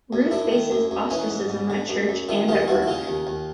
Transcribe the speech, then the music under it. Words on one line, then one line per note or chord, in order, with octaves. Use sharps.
Ruth faces ostracism at church and at work.
F#2
F#2 D4 E4
D#3
F#2
F#2
E3 C#4 D#4
G#2
G#2
D3
F#2
F#2
D#3 D4 E4
D#2 D#4 F4
D#2 E4 F#4
E4
C#3 D#4 F4
D#2
D#2